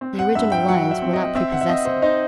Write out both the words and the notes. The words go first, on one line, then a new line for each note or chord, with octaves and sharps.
The original lines were not prepossessing.
C4
F#5
G2 E5
G5
F#3 F#5
E5
C4
D#5
C4 E5
F#5
E5
C4 D#5
C5
D#4 C5